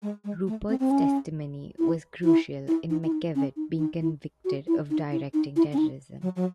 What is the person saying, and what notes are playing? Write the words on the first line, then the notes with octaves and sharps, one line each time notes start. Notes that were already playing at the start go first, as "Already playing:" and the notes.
Rupert's testimony was crucial in McKevitt being convicted of directing terrorism.
G#3
G#3
A3
C4
C4
C#4
E4
E4
E4
D#4
E4
D#4
C#4
D#4
D#4
E4
F#4
E4
D#4
E4
D#4
E4
C#4
D#4
F#3
F#3